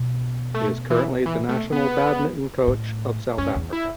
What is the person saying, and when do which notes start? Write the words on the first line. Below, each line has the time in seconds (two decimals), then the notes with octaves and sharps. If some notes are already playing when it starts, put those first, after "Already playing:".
He is currently the National Badminton Coach of South Africa.
Already playing: B2
0.54 A3
0.90 E3
1.26 E3
1.49 A3
1.72 B3
2.67 A2
3.38 F#2 C#4
3.55 E2
3.73 E4